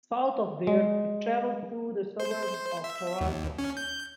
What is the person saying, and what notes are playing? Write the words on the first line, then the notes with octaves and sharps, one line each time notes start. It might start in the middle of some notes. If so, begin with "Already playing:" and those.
South of there, it travelled through the suburbs of Toronto.
G#3
C5
E5
D#2
C#4
G6